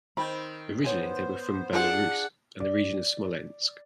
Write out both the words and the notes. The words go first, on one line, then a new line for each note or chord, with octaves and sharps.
Originally they were from Belarus and the region of Smolensk.
D#3 C4 B5
B3 C5 C#5 G#5
D4 F4 G#4 F#5
D5